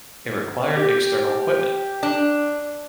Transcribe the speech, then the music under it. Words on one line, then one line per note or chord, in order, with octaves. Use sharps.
It required external equipment.
G4
D4